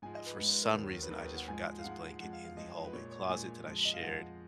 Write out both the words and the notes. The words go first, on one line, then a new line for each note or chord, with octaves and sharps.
for some reason, I just forgot this blanket in the hallway closet that I shared
G#2 F3 G#3 G#5
D#5
B4
G#2 F3 G#3 B4
B4
A#4
D#2 D#3 F#3
B4
D#2 D#3 F#3 A#4
B4
F#5
G#2 F3 G#3 G#5
F5
G#2 F3 G#3 F#5
F2 F3 G#3 F#5
F5
F5
F2 F3 G#3 D#5
B4
A#2 G#3 C#5
C#5
A#2 G#3 G#5
F2 F3 G#3
D#5
F5
F2 F3 G#3 F#5